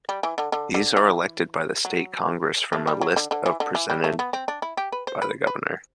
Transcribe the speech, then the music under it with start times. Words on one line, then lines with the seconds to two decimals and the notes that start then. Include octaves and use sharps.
These are elected by the state congress from a list presented by the governor.
0.09 G3
0.23 E3
0.38 D3
0.52 D3
0.74 D3
0.97 E3
1.85 F#3
2.73 A3
2.87 G3
3.01 F#3
3.16 D3
3.31 D3
3.46 E3
3.60 D3
3.75 E3
3.90 G3
4.04 A3
4.19 B3
4.33 C4
4.48 D4
4.62 E4
4.77 G4
4.92 B4
5.07 C5
5.22 B4
5.47 B4